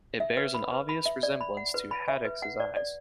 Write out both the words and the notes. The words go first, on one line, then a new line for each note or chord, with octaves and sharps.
It bears an obvious resemblance to Haddocks' Eyes.
E5
B4
B5
B4
B5
E5
D5
B5
F#5
B4
B5
E5
B4
F#5
D5
D5